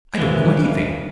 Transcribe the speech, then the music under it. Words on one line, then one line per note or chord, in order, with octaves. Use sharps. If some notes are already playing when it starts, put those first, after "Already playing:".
I don't know anything.
D#1 D#2 D#3 E3 G#3 B4 F5